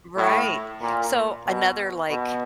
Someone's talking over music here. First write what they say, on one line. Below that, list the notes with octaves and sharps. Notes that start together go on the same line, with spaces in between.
Right. So, another, like,
A2
A#2
B2
B2